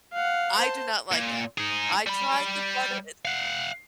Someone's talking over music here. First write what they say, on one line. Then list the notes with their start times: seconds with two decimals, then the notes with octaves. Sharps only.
I do not like that. I tried the butter, it
0.13 F5 F#5
0.58 C5 A5
1.12 A#2
1.58 D#4 G#4
2.07 G3 B5
3.25 F5 F#5